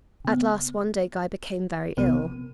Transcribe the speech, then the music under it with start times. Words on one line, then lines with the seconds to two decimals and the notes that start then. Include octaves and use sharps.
At last one day Guy became very ill.
0.25 C#3 B3
1.97 A#1 C3 F3 B3 A#4 D#7